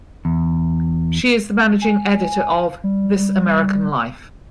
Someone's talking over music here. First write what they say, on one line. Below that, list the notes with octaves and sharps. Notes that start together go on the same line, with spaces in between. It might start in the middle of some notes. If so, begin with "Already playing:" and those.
She is the managing editor of "This American Life".
E2
G#5
G3